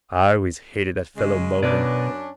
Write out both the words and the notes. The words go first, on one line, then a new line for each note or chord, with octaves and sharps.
I always hated that fellow Mohun.
C#3 G#3
F#2 B2 C#4 D4 B4 D5